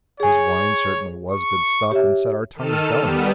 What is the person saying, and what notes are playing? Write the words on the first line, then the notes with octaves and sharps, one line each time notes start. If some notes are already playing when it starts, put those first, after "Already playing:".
His wine certainly was good stuff, and set our tongues going....
G#4 C#5 G#5
C#6
G4 C#5 E5
D#3 A4 F6 D#7 E7
G3 B3